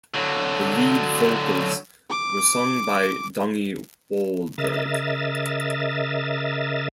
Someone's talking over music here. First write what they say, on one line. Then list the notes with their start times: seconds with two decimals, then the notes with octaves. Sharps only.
The lead vocals were sung by Donnie Wahlberg.
0.15 D3 F#3
2.10 D6
4.58 C#3 A#4 D#5 E5 A6